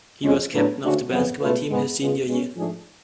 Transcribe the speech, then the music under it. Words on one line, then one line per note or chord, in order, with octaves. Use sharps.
He was captain of the basketball team his senior year.
F2 F3 G#3 C#4
A2 F#3 B3 D4
D2 C#3 G#3 D4 F#4
F2 C#3 F#3 B3
C#2 B2 A3 F4 B4
G#2 G#3 B3
C#3 G#3 B3 F4 G#4
B2 G#3 C#4
G#2 F3 A3 D4 G#4